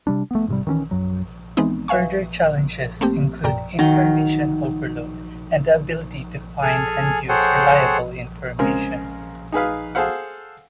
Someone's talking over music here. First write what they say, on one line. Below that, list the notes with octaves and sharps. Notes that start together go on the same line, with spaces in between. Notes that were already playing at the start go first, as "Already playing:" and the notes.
Further challenges include information overload and the ability to find and use reliable information.
C3 G3 D4
A3 B3
G#2 C3 G3
D#3 E3 C4 C#4
F#2 F#3
E3 G#3 B3 C4 D#4
B4 E5 F5 G#5 C#6
A3 A#3 C4 G4
F#2 A#2 D5 G5 A#5
D#3 F#3
G#4 A4 G#5 F6
G#4 A4 C5 C#5 F#5 G5
C#3 G#3 C4 A#4
D#4 G#4 B4 F5
G#4 A4 C5 F5 F#5